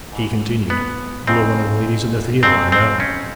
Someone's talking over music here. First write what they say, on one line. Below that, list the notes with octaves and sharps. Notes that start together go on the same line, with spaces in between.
He continued, 'You are one of the ladies of the theatre, I know.
G#2 E3
B3
F2 C#3 E3 C4
F2 C#3 F#3 C4
C4
C#4